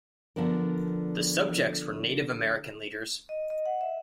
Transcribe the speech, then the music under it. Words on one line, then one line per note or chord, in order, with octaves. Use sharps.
The subjects were Native American leaders.
D3 F3 B3 D4 A#4
D#5
D#5
F#5
E5